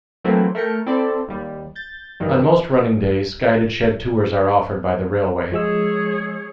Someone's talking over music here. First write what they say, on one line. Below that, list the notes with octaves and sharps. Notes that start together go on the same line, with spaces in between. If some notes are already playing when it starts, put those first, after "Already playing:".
On most running days, guided shed tours are offered by the railway.
E3 F#3 A3 A#3 C4 E4
A3 A#4 G5 C#7
C4 E4 A4 D5
D#2 G3
G6 A6
G2 D#3 E3 G3
F3 G#3 G#4 C#5 E6